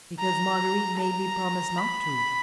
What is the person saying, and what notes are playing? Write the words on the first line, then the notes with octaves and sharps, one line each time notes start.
"Because Marguerite made me promise not to."
A#5
A#5
B5